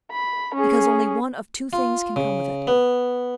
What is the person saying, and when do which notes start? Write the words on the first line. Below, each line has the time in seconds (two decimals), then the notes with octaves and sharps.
"Because only one of two things can come of it."
0.11 B5
0.55 C#4 G#4
1.73 F4
2.16 C#3
2.67 B3